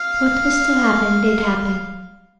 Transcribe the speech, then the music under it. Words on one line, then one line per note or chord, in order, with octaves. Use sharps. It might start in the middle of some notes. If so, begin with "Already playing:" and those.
What was to happen did happen.
Already playing: F5